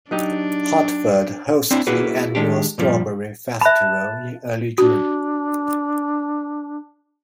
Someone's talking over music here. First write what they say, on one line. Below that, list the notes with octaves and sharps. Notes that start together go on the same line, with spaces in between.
Hartford hosts the annual Strawberry Festival in early June.
F#3 D4 D#4 G4
C4 D4 E4
A#3 E4 F#4 G#4 B4
D#3 G#3 D4 G4
G2 A#2 F3 G3
E5 A5 B5 F#6
D4 F#4